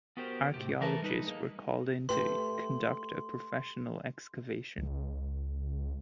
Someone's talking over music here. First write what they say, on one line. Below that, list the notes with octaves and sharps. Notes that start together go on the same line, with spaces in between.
Archeologists were called in to conduct a professional excavation.
B3 F#4 G4 A#4 C5
A2 C3 G4
E3 A3 A#4 B4 A5
G3 D#4 B4
G#3 A#3 D#4
A3 G4 B4 C6
C#2